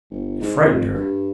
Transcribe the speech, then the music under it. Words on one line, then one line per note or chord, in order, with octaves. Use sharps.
It frightened her.
G1
G#2
F2
G2